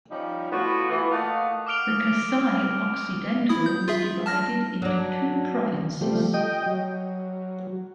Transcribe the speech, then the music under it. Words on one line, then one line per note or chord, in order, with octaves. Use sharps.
The Kasai-Occidental was divided into two provinces.
F3 G3 C#4 D#4
A2 B3 F4 F#4
E3
A3 A#3 D#5 F5 F#5
D6 D#6 F6 D7 F7 G7
E4 D#6
G6
F4 G#4 E5
A5 F6 A#6
F#3 D4
F3 G3 A3
D#5 G5
F#3